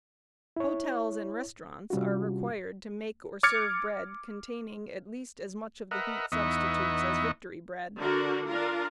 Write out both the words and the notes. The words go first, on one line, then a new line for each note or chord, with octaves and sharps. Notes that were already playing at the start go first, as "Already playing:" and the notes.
Hotels and restaurants are required to make or serve bread containing at least as much of the wheat substitutes as Victory bread.
E4 C#5
C3 G3 C#4 F4 F#4
D6 F6 G#6 A6 C#7
A#4 B4 D#5 E5 F#5
E2 B3 D#4 D#5 E5 C#6
D3 D4 F#4 A#4
D4 F4 A#4